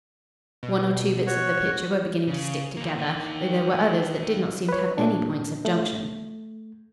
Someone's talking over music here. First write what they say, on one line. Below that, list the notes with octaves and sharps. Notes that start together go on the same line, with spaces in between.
One or two bits of the picture were beginning to stick together, though there were others that did not seem to have any points of junction.
B2
F#4 C#5
C#3
D2 A#3
D#3 A#3
B4 C#5
A#2 D4
A3